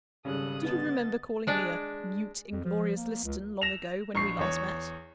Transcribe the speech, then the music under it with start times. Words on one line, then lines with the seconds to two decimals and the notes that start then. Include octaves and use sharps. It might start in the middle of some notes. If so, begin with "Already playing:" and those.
Do you remember calling me a 'mute, inglorious Liston,' long ago, when we last met?
0.25 G#1 C#3 G3 C#4 G#4 A4 D#6 F#6
0.64 D3 B3 D#5 A6
1.47 G#3 D4 D5
2.52 F2
2.64 F3
2.96 A#3
3.24 C#2
3.62 A#6 E7 F7
4.15 A#1 C#6 C7
4.39 E2 C#5